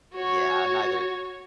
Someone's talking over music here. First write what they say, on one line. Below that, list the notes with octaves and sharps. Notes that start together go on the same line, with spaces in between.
Yeah, neither
F#4 C#5